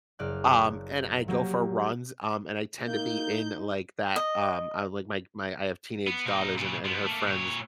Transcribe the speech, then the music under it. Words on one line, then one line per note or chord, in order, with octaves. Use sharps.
Um, and I go for runs, um, and I tend to be in like that, um I like my my I have teenage daughters and and her friends,
F#1 D5 F6 F#6
F#3 A#3 G4 A#4
A#3 D#4 G6
D#5
B3
A#2 D#4
A#2 C#3
F3 B3
A3 A#3
A#2 C#5